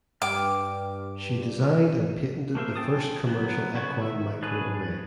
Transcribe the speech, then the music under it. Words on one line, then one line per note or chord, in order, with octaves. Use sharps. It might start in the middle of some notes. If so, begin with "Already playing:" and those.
She designed and patented the first commercial equine microarray.
G2 G5 D6 F6
A3 A#3 C5 E5
C#4 F4 G5 A5 D#6
F#3 B3
C#3 B3 F#4 C#5 C#6
D#3 E5 E6
D4 G#4 B4 C#5